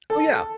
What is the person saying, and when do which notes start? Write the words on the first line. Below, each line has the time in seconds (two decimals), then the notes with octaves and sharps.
Oh, yeah.
0.10 A4